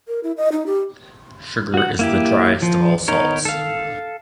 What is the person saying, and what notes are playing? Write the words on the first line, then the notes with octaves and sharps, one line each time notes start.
Sugar is the driest of all salts.
A#4
E4
D#5
D#4
G4
F#4 F#5
A#3 E4 G4
F3
B3 D#4 A#4 C#5
A4 F5